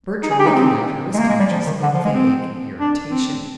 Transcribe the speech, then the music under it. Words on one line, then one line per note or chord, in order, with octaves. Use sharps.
Bertram, looking at her, was conscious of a vague irritation.
D#4
G#4
G4
D#4
C4
G#3
A#3
G#3
G3
F3
D#3
D3
F3
G#3
C4
D4
C4